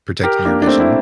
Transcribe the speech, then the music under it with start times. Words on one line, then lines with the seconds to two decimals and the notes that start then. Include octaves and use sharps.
protecting your vision.
0.23 G4 A#4
0.45 A#3 D4
0.62 D4
0.67 A3 C4
0.79 E4